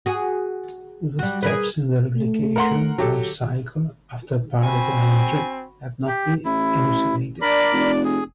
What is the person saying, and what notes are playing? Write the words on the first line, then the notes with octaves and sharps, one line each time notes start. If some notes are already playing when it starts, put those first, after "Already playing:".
The steps in the replication lifecycle after particle entry have not be elucidated.
F#4 G#4
G3 F#4
G#4 A#4 B4
A3
A#4 F#5 C6
F#3 G4 A4
C4 F#4 G#5 B5
G4
A1 E4
D4 A#4 D5 B5
F1
G#4